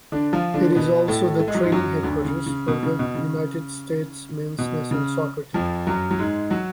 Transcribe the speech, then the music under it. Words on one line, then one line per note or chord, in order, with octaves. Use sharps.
It is also the training headquarters for the United States men's national soccer team.
D3 D4
F3 F4
D3 D4
B2 B3
A2 A3
A3
G#3
F#3
G#2 G#3
F#2 F#3
D2 D3
C#3
C#3
B2
C#3
B2
C#3
B2
C#3
F2 F3
F#2 F#3
F#3
G#2 G#3
F#3 F#4